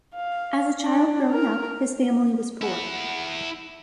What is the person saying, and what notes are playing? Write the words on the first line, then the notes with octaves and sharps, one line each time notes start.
As a child growing up, his family was poor.
F5
D4
A#4
E4 F#5